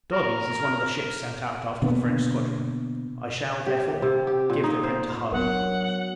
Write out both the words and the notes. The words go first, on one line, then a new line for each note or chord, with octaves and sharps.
Darby's is one of the ships sent out after the French squadron; I shall, therefore, give the print to Hardy.
A#4
B2 D3 A#3 B3
G4
C3
G4
A#2
D#4
C5
F#3 B3 D4 A#4 F#5